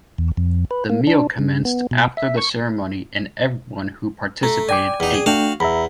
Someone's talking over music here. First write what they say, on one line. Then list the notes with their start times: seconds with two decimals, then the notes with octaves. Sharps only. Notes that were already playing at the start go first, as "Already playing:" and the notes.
The meal commenced after the ceremony and everyone who participated ate.
0.18 E2
0.37 F2
0.71 B4
0.90 A#3
1.07 D4
1.39 C#3
1.65 B3
1.91 B2
2.17 E5
2.37 C#6
4.43 A3 A#5
4.69 D5 G5 G#5 D6
5.00 E2 D#4
5.14 G#4
5.26 A3 D4 F#4 F5 G5
5.60 E2 E5 A#5 B5